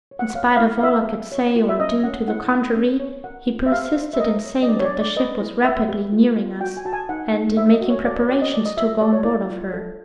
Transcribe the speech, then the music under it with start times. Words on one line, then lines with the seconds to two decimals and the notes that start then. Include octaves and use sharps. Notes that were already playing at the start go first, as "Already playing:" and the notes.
In spite of all I could say or do to the contrary, he persisted in saying that the ship was rapidly nearing us, and in making preparations to go on board of her.
0.11 C#5
0.19 F#5
0.35 C#5 F5
0.46 F#5
0.57 E4 F5
0.79 F5
0.83 E4 E5
1.07 G#4
1.32 C#5
1.56 F4
1.69 E5
1.79 C#4 D#5
2.04 C#4 F#5
2.28 E4 F#5
2.52 E4
2.76 C#4
3.00 C#5
3.24 A#4 F#5
3.48 F4
3.66 E5
3.72 G4 F5
3.96 C5
4.13 E5
4.20 A#4 D#5
4.44 C#5
4.63 D#5
4.68 D4 D5
4.80 C#5
4.84 D5
4.92 D4
5.00 D5
5.16 B4 D#5
5.41 E4
5.64 B4 E5
5.88 G4
6.12 F4
6.37 F4
6.61 F#4 G5
6.77 G#5
6.85 F#4 A5
6.93 G#5
7.09 D#4 F#5
7.33 D#4
7.57 C5 E5
7.73 D#5
7.81 F#4
7.89 C#5
8.05 F#4 D5
8.17 C#5
8.29 F#4 D5
8.41 D#5
8.53 F4 D5
8.66 D#5
8.77 F4 E5
9.01 G4 D5
9.13 C#5
9.24 E4 D5
9.49 F4
9.74 A4